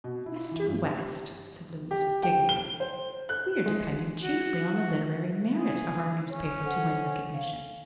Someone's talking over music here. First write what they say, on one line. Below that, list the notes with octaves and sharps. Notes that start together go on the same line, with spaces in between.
"Mr. West," said Louise, with dignity, "we are depending chiefly on the literary merit of our newspaper to win recognition."
B2
E4
E3
G2
G4
G4
G5
G7
C5
F#6
G#3
F#4
G#4
C#4 C#5
A4 C5 F#5
F5